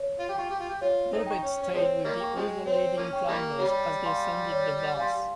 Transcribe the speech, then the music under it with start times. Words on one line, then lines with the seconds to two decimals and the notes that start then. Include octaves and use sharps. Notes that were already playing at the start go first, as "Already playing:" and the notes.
Bobet stayed with the other leading climbers as they ascended the Vars.
Already playing: C#5
0.19 F4
0.29 G4
0.35 F4 G5 C#6
0.50 G4
0.59 F4
0.69 G4
0.81 F4 C#5
1.12 G#3 C4 D#4
1.27 G5 C#6
1.42 C#4
1.62 C#4
1.73 F3 G#3 C4 C#5
2.04 D#3 G3 A#3
2.20 G5 C#6
2.36 C#3 F3 G#3
2.66 C4 C#5
2.97 F3 A#3 C#4
3.13 G5 C#6
3.28 D#3 G3 A#3
3.58 G3 C#5
4.05 F5 G#5 C6
4.51 C#5
4.97 F5 G#5 C6